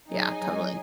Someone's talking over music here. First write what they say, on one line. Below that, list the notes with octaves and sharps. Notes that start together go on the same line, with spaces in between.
Yeah, totally.
F#3 D#4 G#4 D#5 G#5
F#3
G#3
F#3